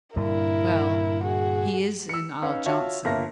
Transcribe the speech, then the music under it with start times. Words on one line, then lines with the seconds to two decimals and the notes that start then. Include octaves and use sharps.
"Well, he is in Isle Johnson."
0.16 G2 A#2 D3 E4 A#4
1.24 F#4 G#4
2.09 E6 C#7
2.42 C#4 D#4 B4 F5
2.66 F4 F#4 C#5 E5 A5
3.05 G1 A#3 F4 E5 A5 A#6